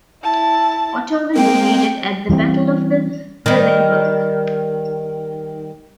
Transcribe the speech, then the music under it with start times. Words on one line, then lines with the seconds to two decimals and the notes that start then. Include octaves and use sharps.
Otto was defeated at the Battle of the Grebbeberg.
0.23 E4 A5
1.35 G#3 A#3 C4 G5
2.29 E3 G3 A3 C4
3.46 D#3 G3